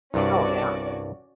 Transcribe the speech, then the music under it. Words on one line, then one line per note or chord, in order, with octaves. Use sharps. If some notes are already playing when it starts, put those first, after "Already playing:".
Oh, yeah.
C2 G2 C#4 F#4 D5